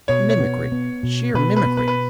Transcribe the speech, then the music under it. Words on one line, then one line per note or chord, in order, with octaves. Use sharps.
Mimicry, sheer mimicry!
B2 C#5
C#5
B3
B3
B2
B2 B4
B4
B3
B4
B4